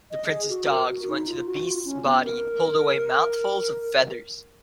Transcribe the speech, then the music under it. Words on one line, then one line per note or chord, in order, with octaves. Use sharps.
The Prince's dogs went to the beast's body and pulled away mouthfuls of feathers.
D#5
G#4
F#4
A#4
F#4
D#4
F4
F#4
F4
C#4
B3
A#4